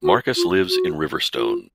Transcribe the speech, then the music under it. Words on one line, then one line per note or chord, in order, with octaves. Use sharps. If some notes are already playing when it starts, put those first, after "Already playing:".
Markus lives in Riverstone.
F#4
F4
F#4
F4